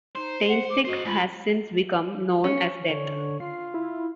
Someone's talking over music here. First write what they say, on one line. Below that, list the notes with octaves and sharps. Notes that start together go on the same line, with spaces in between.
Taintstick has since become known as Death!
D#4 C5
F#5
D6
F#4 C5 D#5
G#2 F4 B4
C#4
D3 C#5
F4 C7
E4